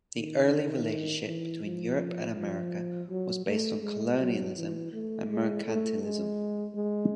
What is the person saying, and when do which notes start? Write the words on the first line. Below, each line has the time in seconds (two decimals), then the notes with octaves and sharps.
The early relationship between Europe and America was based on colonialism and merchantilism.
0.17 D#3
0.54 D#3
1.27 E3
1.63 F3
2.36 F3
3.09 F#3
3.46 A3
3.82 G#3
4.19 F#3
4.56 E3
4.92 A3
5.29 G#3
5.65 A3
6.02 G#3
6.75 G#3